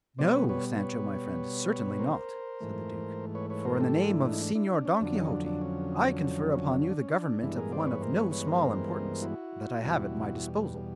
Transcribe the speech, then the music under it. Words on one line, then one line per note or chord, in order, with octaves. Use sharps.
"No, Sancho my friend, certainly not," said the duke, "for in the name of Senor Don Quixote I confer upon you the government of one of no small importance that I have at my disposal."
B2 G3 B3 C5 D5
B4 C#5
B4 C#5
B4 C#5
A#4 C5
G#2 E3 A3
B4 C#5
B4 C#5
A#4 C5
G4 A4
D4 E4
D#4
D4
D4 E4
D4
C#4
F2 D3 F#3 D4
C#4 D#4
D4
D4
C#4
C#4
D4
C#4
D4
G2 E3 G#3 B3 D4 E4
G#4 A#4
C5 D5
B4 C#5
A#4 C5
B4 C#5
B4 C#5
A#4 C5
E4 F#4
E2 B2 G3